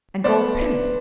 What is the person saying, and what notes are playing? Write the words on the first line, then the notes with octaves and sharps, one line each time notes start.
And gold pin.
B3 C5 D5